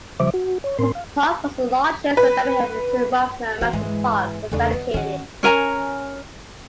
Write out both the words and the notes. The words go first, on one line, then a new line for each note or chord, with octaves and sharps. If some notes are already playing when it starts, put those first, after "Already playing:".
The park was the largest in Birmingham until Ruffner Mountain Park was dedicated.
C#3 F3 G3 C5 E5 D6
F#4
C#5
A2 C4 A#4 C6
F5
B4
E3 F#4 C5
G#2 E3 G#3
E2 C#3 A3 D4
D#3 B3
D#3 C#4 F#4
C#4 A#4 G#5 A#5